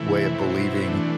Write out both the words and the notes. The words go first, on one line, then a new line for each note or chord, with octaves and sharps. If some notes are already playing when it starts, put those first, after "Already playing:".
way of believing,
Already playing: C3 E3 A3 E4
B2 F#3 C4 E4
E3 A3 D4